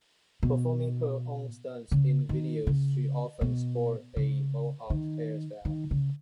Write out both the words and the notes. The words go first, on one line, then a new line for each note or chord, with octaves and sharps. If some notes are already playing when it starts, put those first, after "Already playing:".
Performing her own stunts in videos, she often sported a Mohawk hairstyle.
B2
C#3
D#3
C#3
B2
C#3
D#3
D#3
C#3